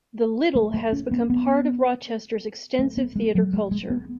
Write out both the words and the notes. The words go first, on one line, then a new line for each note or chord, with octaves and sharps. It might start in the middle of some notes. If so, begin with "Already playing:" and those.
The Little has become part of Rochester's extensive theater culture.
A3
A3
C#4
B3
B3
A3
B3
G#3
F#3
G#3
G#3
B3